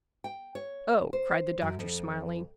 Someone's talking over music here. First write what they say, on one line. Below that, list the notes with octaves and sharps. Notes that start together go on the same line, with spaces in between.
"Oh," cried the doctor, smiling.
G5
C#5
C5
F#2
F2